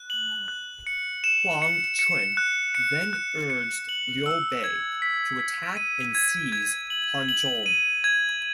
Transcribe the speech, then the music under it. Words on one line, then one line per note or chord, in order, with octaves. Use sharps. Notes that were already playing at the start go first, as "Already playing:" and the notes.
Huang Quan then urged Liu Bei to attack and seize Hanzhong.
Already playing: F#6
F#7
F#6
C#7
E7
C#7
C#7
F#6
C#7
F#6
C#7
F#7
E6
G#6
B6
B6
D#7
G#6
G#6
F#7
F#7
D#7
G#6